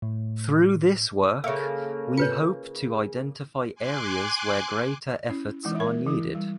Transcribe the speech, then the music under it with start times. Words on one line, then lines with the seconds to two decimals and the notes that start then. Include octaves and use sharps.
Through this work, we hope to identify areas where greater efforts are needed.
0.02 A2
1.44 C#3 A#3 A4 E5 C#6
2.18 C3 F4 B4 C#5 C#7
2.87 G#4
3.75 G#5 C6 D6 F#6
5.27 C#4 E4
5.63 E3 G#3 D#4 E4
5.76 A#4 E5
6.06 E3 E4
6.35 G3